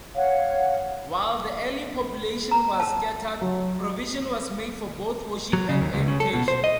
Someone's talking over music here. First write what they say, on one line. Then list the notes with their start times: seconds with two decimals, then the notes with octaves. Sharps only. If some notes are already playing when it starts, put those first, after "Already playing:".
While the early population was scattered, provision was made for both worship and education.
0.15 C#5 F5 F#5
2.51 A#5
2.80 A5
3.41 F#3
5.53 F#3
5.69 C#3
5.81 D#2
5.94 C#2
6.08 C#3
6.20 A4
6.33 B2
6.48 C5
6.64 D#5